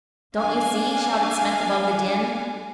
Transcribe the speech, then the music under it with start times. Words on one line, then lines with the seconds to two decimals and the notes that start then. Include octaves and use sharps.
"Don't you see?" shouted Smith, above the din.
0.37 D4 F5 G#5